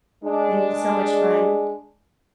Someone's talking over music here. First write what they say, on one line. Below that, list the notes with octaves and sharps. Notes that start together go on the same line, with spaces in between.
and it's so much fun.
G#3 D4